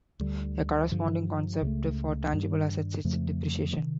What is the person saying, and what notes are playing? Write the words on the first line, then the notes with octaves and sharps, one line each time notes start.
A corresponding concept for tangible assets is depreciation.
D2 D3 G3
G2 D3 F3
C#2 C#3 F#3 A3
G2 D#3 G3
F2 C#3 F3 A3
C3 D#3